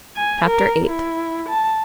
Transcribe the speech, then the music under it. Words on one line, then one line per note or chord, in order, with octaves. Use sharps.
Chapter VIII.
G#5
A#4
E4
A5